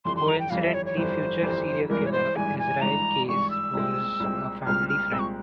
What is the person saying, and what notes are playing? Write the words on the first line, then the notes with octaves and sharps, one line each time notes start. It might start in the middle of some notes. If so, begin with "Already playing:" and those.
Coincidently, future serial killer Israel Keyes was a family friend.
G1 F2 E3 G3 C6
C6
A#5
G5
G1 F2 E3 G3 F5
E5
C#5
C#5
G1 F2 E3 G3 C5
G1 F2 E3 G3
G#1 G2 E3 G#3 A#4
C#5
C5
G#1 G2 E3 G#3 G#5
G#5
G#1 G2 E3 G#3 A#5
G#1 G2 E3 G#3 C#6
E6
C2 A#2 G#3 C4
C2 A#2 G#3 C4
C2 A#2 G#3 C4 F6
F6
C2 A#2 G#3 C4 E6
C#6